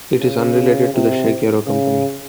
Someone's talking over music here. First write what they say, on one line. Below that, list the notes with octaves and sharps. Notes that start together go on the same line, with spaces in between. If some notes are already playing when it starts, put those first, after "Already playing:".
It is unrelated to the Czech Aero company.
C#3
C3
C#3